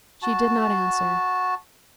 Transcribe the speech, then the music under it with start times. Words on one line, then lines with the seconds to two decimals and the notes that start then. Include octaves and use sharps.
She did not answer.
0.22 F#4 A5